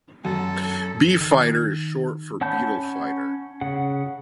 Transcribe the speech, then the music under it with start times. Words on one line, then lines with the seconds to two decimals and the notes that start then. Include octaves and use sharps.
B-Fighter is short for "Beetle Fighter".
0.25 F#2 A4
1.21 D#3
2.41 C#4 F#5 A5 B5 G6
3.61 C#3 F#5